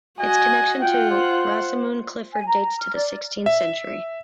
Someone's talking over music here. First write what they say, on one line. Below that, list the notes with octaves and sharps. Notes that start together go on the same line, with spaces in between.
Its connection to Rosamund Clifford dates to the sixteenth century.
F#4 D#5 G#5
F4 F#5 G5
C5
G#5
A#5
F6
D5
E5